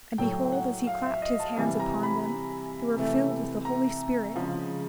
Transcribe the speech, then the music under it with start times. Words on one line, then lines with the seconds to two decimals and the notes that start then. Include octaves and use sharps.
And behold, as he clapped his hands upon them, they were filled with the Holy Spirit.
0.18 A2 F#3 A3 G5
0.52 F#5
0.87 F5
1.05 E5
1.22 D#5
1.39 A5
1.57 C3 E3 G3 G#5
1.80 A#5
2.03 B5
2.96 C3 E3 A3
3.65 A#5
4.35 C#3 F3 G#3